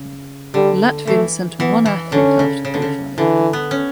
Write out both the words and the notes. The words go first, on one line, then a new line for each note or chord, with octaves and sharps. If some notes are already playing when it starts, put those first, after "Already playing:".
Latvian sent one athlete after qualified.
Already playing: C#3
D3 G3
E3 A3
E3 B3
E3
D3 C#4
C#3
C#3
D3
C#3
D3 E3
B3
C#4